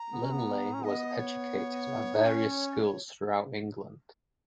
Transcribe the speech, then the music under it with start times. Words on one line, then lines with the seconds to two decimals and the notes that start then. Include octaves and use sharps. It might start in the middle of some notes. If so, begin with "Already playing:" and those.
Linley was educated at various schools throughout England.
Already playing: A#5
0.13 B3
0.24 C#4
0.33 B3
0.74 C#4
0.84 B3 D#5
1.19 C#5
2.15 D#4
2.26 C#4